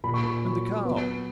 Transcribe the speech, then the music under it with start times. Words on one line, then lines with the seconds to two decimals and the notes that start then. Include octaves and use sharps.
"And the cow?"
0.04 A#2 B5
0.14 C#6
0.24 B5
0.44 F#3
0.85 B3